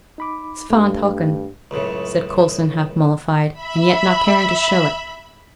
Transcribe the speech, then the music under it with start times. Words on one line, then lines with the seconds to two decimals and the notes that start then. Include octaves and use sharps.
'It's fine talking,' said Coulson, half mollified, and yet not caring to show it.
0.18 D#4 B5 D6
0.70 G2 A3
1.71 C#2 F#2 A2 C#3
3.52 E5 B5